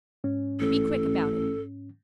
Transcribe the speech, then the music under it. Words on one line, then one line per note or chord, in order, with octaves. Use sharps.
"But be quick about it."
G#2 C#4
A1 A4